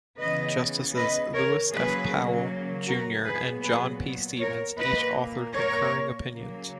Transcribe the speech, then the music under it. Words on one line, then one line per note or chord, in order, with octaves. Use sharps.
Justices Lewis F. Powell, Junior and John P. Stevens each authored concurring opinions.
C#3 E3 B3 B4 D#5
B4 D#5
A#4 C#5
C#3 F#3 A#3 G#4 B4
F#4 A#4
A#2 F#3 B3 G#4 B4
G#4 B4
A#4 C#5
A#2 A#3 B4 D#5
A#4 C#5
C#3 F#3 A#3